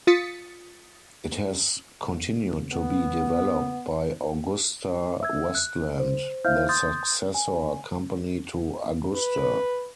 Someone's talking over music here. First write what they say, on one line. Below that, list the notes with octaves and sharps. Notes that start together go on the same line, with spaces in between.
It has continued to be developed by AgustaWestland, the successor company to Agusta.
F4 D#6 A6 B6 C#7
B3
E5 E6 G#6
F#6
C5
E4 C5 E5 F5 F6 G6
C6 D#6 G6 A6
G#5
B4